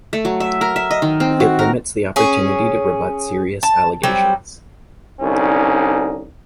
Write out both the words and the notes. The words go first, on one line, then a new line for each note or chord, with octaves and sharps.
It limits the opportunity to rebut serious allegations.
A3
F#3
E5
A#4
E5
D#5
D#3
C4
F#4
A#4
C#4 G#4
A5
F#3 G3 C4
C2 D3 C#4 D#4